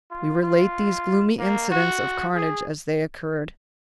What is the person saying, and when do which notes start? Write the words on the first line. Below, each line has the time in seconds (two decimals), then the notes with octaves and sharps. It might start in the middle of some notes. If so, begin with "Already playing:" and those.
We relate these gloomy incidents of carnage as they occurred.
0.11 F4
0.42 F4
1.39 A#3
1.70 F#4
2.35 G#4